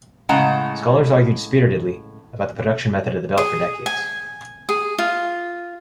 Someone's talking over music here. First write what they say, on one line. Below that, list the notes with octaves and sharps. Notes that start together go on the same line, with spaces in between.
Scholars argued spiritedly about the production method of the belt for decades.
A2 C#3 G#3 F#5 A5 A#5
G#4
G#5
G#4
F4